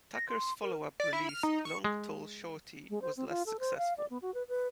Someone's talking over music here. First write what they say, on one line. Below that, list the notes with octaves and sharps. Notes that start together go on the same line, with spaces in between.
Tucker's follow-up release, "Long Tall Shorty", was less successful.
A#6
C6
A#4
D5
E4
F6
D#4
C#6
G#3
G#3
C5
C4
F4
A4
C5
F5
D5
B3
F#4
B4
B4